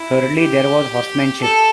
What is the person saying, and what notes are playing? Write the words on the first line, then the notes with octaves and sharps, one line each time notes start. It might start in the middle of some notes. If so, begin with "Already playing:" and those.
Thirdly there was horsemanship.
Already playing: E4
G4
A4